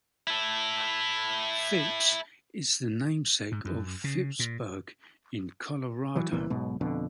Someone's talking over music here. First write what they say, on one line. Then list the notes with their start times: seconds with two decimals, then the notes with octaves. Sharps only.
Phipps is the namesake of Phippsburg, Colorado.
0.27 E4 A4
3.52 G#2
3.65 F#2
4.04 C#3
4.39 A#2
6.15 E3 F#3
6.32 C2 A#2 E3
6.50 B1 G#2 B2
6.81 F2 B2 D3